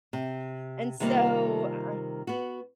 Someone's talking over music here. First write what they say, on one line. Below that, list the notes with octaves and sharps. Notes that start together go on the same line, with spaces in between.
And so, uh
C3
C3 D#3 G3 A#3 F4
B3 F#4